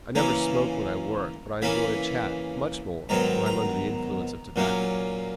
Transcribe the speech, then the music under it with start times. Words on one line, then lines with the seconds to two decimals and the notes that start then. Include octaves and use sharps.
I never smoke when I work, but I enjoy a chat much more when I am under the influence of tobacco.
0.15 C#3 E3 A#3 C#4 A#5
1.62 C#3 E3 A#3 C#4 B5
3.09 G#2 D#3 F#3 B3 A#5
3.46 A#5
4.56 A#2 F#3 A#3 C#4